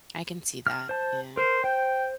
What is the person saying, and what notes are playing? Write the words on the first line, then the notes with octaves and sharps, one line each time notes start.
I can see that, yeah.
F6
C5 A5
A#4 C5
C5 G5